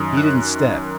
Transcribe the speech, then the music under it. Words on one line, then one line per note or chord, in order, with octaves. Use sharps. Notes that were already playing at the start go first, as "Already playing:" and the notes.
He didn't step.
Already playing: F#2 D#3 D#6
F#6